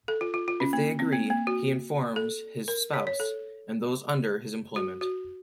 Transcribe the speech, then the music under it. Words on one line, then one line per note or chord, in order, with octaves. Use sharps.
If they agree, he informs his spouse and those under his employment.
A4
F4
F4
F4
C#4
A#3
C4
A#3
A#3
F#4
A4
A#4
C#5
C#5
A4
F#4
F#4